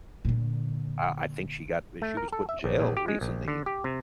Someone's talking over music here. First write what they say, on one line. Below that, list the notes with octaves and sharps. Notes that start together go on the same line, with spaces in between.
uh, I think she got we she was put in jail recently
A#2 D3
A3
A#4
A4
E5
A#1
A#1
G4
G#3
A#1
D3
G4
C3